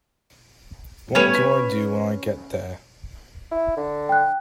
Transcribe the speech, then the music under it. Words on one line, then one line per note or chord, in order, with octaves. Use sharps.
What do I do when I get there?
G3 A3 B3 C#4 B4 C#5
B6
E4
D3
G5 F#6